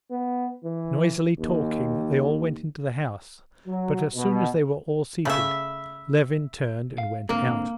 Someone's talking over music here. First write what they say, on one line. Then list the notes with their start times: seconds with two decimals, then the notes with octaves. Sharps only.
Noisily talking, they all went into the house; but as soon as they were all seated, Levin turned and went out.
0.11 B3
0.64 E3
1.39 D#2
3.67 F#3
4.15 B2
5.25 C#3 A3 E5 B5
6.98 F5
7.29 G#2 D3 A#3 C4